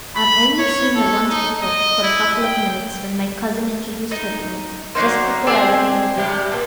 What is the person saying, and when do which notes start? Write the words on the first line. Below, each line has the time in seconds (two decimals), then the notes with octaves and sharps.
I have only seen her once before, for a couple of minutes, when my cousin introduced her to me, just before I left England.
0.16 B5
0.58 C#5
0.95 A4
1.29 D#4
1.62 D#5
2.03 E4
2.42 G5
4.11 D#4
4.95 F#3 A#3 D4 D#4 C5
5.47 C4 D4 G#4 C5 D5
6.17 C3 G3 G4
6.52 A#2